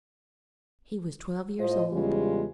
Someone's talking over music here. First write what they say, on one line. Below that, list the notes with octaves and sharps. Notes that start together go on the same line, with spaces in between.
He was twelve years old.
A2 F4 C5 D#5
E2 C#3 G3 G#3 F4